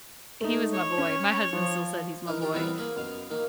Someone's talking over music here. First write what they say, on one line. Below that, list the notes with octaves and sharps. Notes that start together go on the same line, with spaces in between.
eh, he was my boy, my husband still says "He's my boy,"
A3 D#4
C#5 C#6
C#4
F3
E3 D#4 A#4
F4 G4 A#4
E3 G3 B3 C4 A#4
A#3 G#4
F#2 B2 F5
D#3 A#3